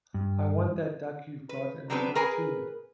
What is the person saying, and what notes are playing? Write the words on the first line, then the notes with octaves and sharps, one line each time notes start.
I want that duck you’ve got — and the pig too.
G2
B4
F#3 B3 C4 D4 B4
G#4 A#4 B4 G#5